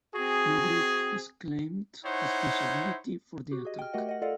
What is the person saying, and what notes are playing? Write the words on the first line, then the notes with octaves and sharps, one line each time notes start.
No group has claimed responsibility for the attack.
C4 F#4 G#4
D#4 E4 C5 C#5 F#5
F#4 G4
G#4 D#5
G5 F6
A3 F#4 G4 A#4 D#5 F#5
D#5 F#5
F4 A4 D5 D#5 F5 F#5